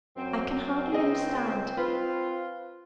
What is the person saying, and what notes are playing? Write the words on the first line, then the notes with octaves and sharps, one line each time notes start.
I can hardly understand.
F#2 C4
C#2 G#4 D#5
C4 F4 B4